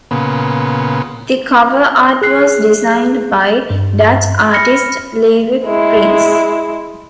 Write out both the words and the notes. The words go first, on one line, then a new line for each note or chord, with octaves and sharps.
The cover art was designed by Dutch artist Lieve Prins.
A#2 C#3 B3
G#4 F#6 C7
G2
B5 F6 A#6 C#7
G#3 E4